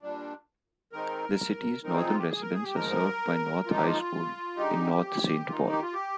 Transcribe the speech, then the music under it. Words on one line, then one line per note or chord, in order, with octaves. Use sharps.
The city's northern residents are served by North High School in North St. Paul.
A#2 G3 D4
D#3 G#3 C4 D#4 A#4
A#2 F3 C4 D#4 A#4
G#4
F4
G4
G#4
A#4
G#4
G4
G#2 F3 G#3 A#4
G#2 F3 A#3 D#4 F4
G4
F4
D3 G#3 D#4 G4
D#3 A#3 D#4 F4
G4
F4
G4